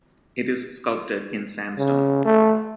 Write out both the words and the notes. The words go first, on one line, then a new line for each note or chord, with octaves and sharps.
It is sculpted in sandstone.
C#3
A3